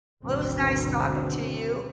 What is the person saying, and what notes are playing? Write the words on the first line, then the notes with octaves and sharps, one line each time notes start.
Well, it was nice talking to you.
G#1 D2 B2 D3 F#3 C4